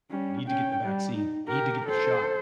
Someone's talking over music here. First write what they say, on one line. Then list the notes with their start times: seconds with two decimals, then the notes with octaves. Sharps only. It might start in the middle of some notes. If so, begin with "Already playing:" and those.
I need to get the vaccine, I need to get the shot,
0.10 G3 C#4
0.47 C#4 G5
0.84 G3
1.15 D#4
1.47 G4 A#4
1.87 A4 C5